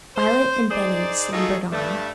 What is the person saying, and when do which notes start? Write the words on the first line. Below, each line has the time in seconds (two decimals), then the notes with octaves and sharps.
Violet and Benny slumbered on.
0.16 C5
0.70 D#4 G#4 C5 D5
1.32 A3 D#4 F4 F#4 G#4 A4
1.72 G2 A3